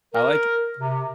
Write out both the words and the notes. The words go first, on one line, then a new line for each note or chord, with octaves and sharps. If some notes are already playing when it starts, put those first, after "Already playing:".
I like
A#4
C3